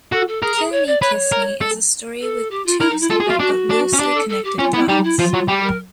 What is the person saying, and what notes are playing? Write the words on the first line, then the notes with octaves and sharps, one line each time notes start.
"Kill Me, Kiss Me" is a story with two separate but loosely connected plots.
F#4 A4
A4
G#4 A#4
G#4
C#5
D5
B4 C#5
A#4
A4
A4
G4
F4
E4 A#4
D#4
E4
F4 A4
G#4
F#4
F4
D4 F#4
D4
C#4
D4 G4
A4
A4
G4
C#4 F4
B3 E4
G3 D#4
E4
F3 F4
F#3
G3 G4
A#4